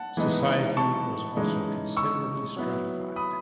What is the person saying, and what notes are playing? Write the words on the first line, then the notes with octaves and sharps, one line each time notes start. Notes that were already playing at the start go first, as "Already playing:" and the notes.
Society was also considerably stratified.
Already playing: F#5 A5
E3 G#3 B3 D#4
A5 C#6
C#3 E3 G#3 D#4
C#6 E6
F#3 B3 E4
B5 D#6